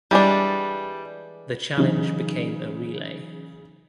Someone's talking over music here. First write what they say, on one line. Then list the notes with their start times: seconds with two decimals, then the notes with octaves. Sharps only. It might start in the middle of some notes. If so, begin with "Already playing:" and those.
The challenge became a relay.
0.11 E3 G3 G#3 D4
1.77 C#3 E3 F#3 D#4